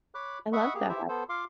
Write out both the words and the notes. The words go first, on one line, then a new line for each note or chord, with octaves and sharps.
I love that.
C#5 B5 D6 F#6
D#5 E5 F#5 B5 C#6
A#3 G4 G#4
E4 G4 C5 E5
B3 A4 C5
F4 F5 C6 D6